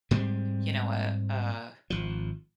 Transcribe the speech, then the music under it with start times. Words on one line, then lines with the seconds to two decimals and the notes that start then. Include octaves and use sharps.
you know, a a
0.11 G#2 G3 G#3 C4
1.90 G#1 F3